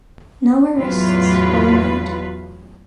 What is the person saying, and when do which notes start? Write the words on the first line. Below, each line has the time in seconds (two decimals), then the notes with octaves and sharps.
No arrests were made.
0.79 E2 A2 F#3 F4 B4